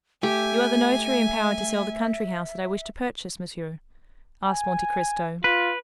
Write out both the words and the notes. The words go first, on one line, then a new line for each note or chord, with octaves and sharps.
"You are the notary empowered to sell the country house that I wish to purchase, monsieur?" asked Monte Cristo.
A3 G4 E5 G#5
G#5
F4 B4